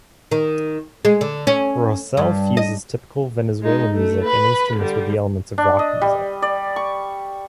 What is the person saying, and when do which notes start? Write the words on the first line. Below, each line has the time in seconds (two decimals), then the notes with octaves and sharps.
Rosell fuses typical Venezuelan music and instruments with elements of rock music.
0.31 D#3
1.05 G#3
1.21 D3
1.47 C#4
2.17 G2
2.57 D#5
3.62 G#3 D#4
3.93 A3
4.24 B4 B5
4.76 D3 G3
5.58 D4
5.79 D#5
6.02 G3
6.42 D5
6.76 C#6